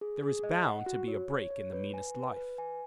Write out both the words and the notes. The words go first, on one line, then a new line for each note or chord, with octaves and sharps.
There is bound to be a break in the meanest life.
G#4
G#4
D#5
F#5
F#4
C#5
C#5
C#5
B4
G#5
B4
B4
G#5